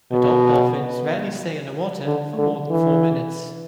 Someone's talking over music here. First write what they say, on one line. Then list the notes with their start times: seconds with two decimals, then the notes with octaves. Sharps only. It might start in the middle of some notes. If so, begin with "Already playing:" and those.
Adult dolphins rarely stay under water for more than four minutes.
0.12 B2
2.06 D3
2.38 D3
2.71 E3